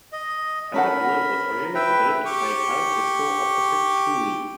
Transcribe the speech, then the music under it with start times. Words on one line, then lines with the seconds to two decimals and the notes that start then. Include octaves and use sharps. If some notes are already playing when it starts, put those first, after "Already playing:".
Sandra Bullock was originally considered to play Karen Sisco opposite Clooney.
0.13 D#5
0.74 C#4 A4 A#4 F#5 B5
1.75 B4 E5 G5
2.26 G4 C#6